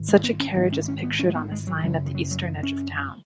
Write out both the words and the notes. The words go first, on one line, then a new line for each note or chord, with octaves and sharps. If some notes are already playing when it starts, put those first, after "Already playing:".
Such a carriage is pictured on a sign at the eastern edge of town.
Already playing: G#1 G#2
G#3
B3
C#4
G#1 G#2 B3
C#4
C#4
B3
C#4
G#3
B3
G#3
F#3
F#1 F#2 C#3 F#3
D#3
F#3
F#3
C#4